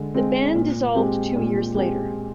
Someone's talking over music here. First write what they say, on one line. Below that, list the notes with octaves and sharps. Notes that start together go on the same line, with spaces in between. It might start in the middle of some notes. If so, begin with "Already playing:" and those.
The band dissolved two years later.
Already playing: D3 G#3
G#3 C4
A#2
G#3 C4 G4
A#2
G#3 C4 G4